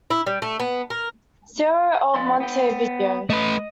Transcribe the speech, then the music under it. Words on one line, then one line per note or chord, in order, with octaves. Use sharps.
Cerro of Montevideo.
E4
G3
A3
B3
A#4
F3 D5 C6
B3 G5
A3 B4 D#5